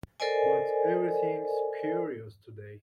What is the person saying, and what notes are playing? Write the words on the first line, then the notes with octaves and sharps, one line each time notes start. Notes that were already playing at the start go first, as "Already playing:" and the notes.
But everything’s curious today.
A4 A#4 C5 D5 D#5 G#5